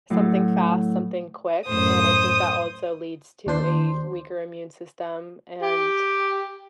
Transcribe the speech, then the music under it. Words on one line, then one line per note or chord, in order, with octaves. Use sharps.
Something fast, something quick, and I think that also leads to a weaker immune system, and
A2 F#3
F#2 A2 C5 D#6
D#2 D4 C5 C6
G4